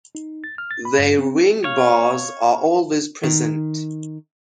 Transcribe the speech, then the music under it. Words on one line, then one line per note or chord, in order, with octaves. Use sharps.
Their wing bars are always present.
D#4
A6
F6
A6
B5
G2
C4
C#5 F5
D#3